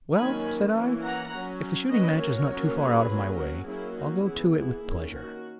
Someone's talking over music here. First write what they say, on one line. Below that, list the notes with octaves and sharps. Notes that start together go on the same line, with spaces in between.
"Well," said I, "if the shooting-match is not too far out of my way, I'll go to it with pleasure."
D#3 F#3 A#3 C#4 G#5 B5
E3 A#3 C#4
F#5 A#5
F#3 C#4
F#3 A#3 C#4 B4 D#5
A#4 C#5
F#3 A#3 C#4
G#4 B4
F#3 A#3 C#4
F#4 A#4
F#3 A#3 C#4 E4 G#4
D#4 F#4
E3 B3 E4 G#4
E4 G#4
D#3 A#3 C#4
F#4 A#4